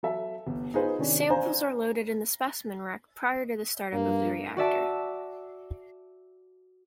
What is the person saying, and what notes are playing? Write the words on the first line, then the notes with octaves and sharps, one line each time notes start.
Samples are loaded in the specimen rack prior to the start-up of the reactor.
F#3 A4 E5
G1
D#4 F4 G#4 B4 C5
C3 D#3 C#4 D4
D4 C5 F5 G#5 A#5
G2 A#3
F#4 D5 E5 A5